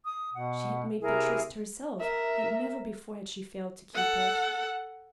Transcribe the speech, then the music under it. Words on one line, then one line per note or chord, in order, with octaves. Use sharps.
She had made the tryst herself, and never before had she failed to keep it.
D#6
B2 F#5
C3 E4 G#4 A#4
A#4 E5
A4 F#5